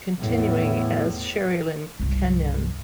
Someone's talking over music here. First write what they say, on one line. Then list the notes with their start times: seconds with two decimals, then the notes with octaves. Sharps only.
Continuing as Sherrilyn Kenyon.
0.19 E2 A2
2.00 C2 G2